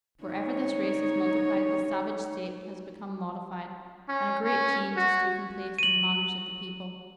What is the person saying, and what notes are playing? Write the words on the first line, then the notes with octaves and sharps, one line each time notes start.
Wherever this race has multiplied the savage state has become modified, and a great change has taken place in the manners of the people.
D#4 C#5
C#4
C#4
F#4
D#7 F#7